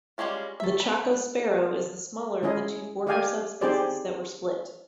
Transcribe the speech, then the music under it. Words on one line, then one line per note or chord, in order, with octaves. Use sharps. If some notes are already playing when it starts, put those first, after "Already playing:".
The Chaco sparrow is the smaller of the two former subspecies that were split.
G3 G#3 A#3 C#4 F4
A3 E5
B5
G#3 C#4 E4 G#4 D#5
G4 D5 D#5 F5 G5 G#5
C4 D#4 G4 G#4 C5 D5